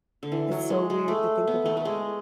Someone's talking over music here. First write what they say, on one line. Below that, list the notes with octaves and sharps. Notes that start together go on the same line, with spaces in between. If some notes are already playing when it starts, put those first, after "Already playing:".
It's so weird to think about.
D3
E3
F#3
G#3
G#3
A3
B3
A3
A3
G#3